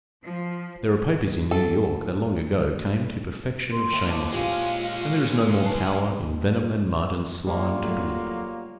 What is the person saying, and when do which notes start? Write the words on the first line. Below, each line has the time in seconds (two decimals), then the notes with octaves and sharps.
There are papers in New York that long ago came to perfection of shamelessness, and there is no more power in venom and mud and slime to pollute them.
0.24 F3
1.51 A4
3.72 A#4 C6
3.93 D#2 E5 G5
4.10 E4 C5 D#5 A5 D6
4.32 A#2 G#3 C#4 F4 G4
5.62 F#1 B4 A5 C7
7.47 G3 A#3 F4 C#5
7.82 F#3 A3